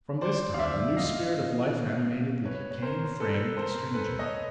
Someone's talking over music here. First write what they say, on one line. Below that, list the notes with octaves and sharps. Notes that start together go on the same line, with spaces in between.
From this time a new spirit of life animated the decaying frame of the stranger.
C5 D5
F5
D5 E5
D#5 F5
B4 C#5
C#5
A#4 C5
A4 B4
A#4 C5
A4 B4
C#5 D#5